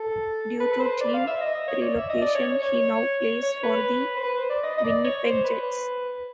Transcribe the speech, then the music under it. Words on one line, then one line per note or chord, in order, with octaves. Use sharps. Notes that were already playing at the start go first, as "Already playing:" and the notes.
Due to team relocation he now plays for the Winnipeg Jets.
Already playing: A4
B4
B4
C5
D5
F5
E5
D#5
D#5
C#5
D5
E5
D#5
D5
C#5
C#5
C#5
C#5
B4
C5
B4
C5
D5
D#5
D#5
D5
C#5
C5
B4